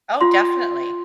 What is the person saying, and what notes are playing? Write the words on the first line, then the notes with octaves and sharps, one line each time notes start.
Oh, definitely.
F4 C6